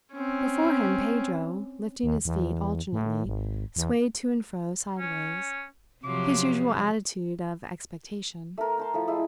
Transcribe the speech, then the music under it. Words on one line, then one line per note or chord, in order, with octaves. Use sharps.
Before him Pedro, lifting his feet alternately, swayed to and fro sideways--his usual attitude of expectation.
C4 C#4
D#2
E2
A2
G#1
E2
C#4
C3 F3 F#3 D6
A3 A4 A#4
G5 A5 C6
F3 A3 E4 A4
G#3 E4 G#4